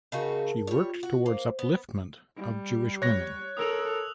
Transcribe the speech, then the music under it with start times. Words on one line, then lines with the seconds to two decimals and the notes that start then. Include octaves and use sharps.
She worked towards upliftment of Jewish women.
0.12 C#3 D#4 F#4 G#4 A#4 A5
0.67 G3 F4 C#5
1.03 F#4
1.26 A#3 C5
1.59 B3
2.37 G3
3.02 C#5 F#6 A#6
3.57 A4 A#4 D#6 E6 F7